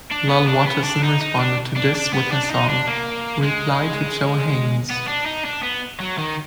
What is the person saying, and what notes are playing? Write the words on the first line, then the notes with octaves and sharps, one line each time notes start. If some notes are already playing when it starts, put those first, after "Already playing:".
Lal Waterson responded to this with her song "Reply To Joe Haines".
D4
B3
D4
B3
D4
D#4
D#4
D4
D4
D4
B3
D4
D4
D#4
D4
A#3
G#3
B3
D4
D#4
D4
B3
F#3
D#3